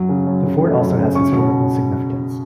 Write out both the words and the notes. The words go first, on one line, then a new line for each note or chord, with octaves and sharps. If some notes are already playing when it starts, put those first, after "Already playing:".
The fort also has historical significance.
Already playing: F#2 F#3
C#3
F#2
C#3
A3
F#2
C#3
C#4 C#6
B2